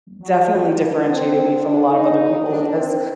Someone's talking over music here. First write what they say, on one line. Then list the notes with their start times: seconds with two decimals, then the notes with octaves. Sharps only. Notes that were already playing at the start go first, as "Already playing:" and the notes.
definitely differentiated me from a lot of other people because
0.22 F#3
0.49 G3
0.78 D4
1.06 C4
1.62 D4
1.91 D#4
2.47 D4
2.75 C4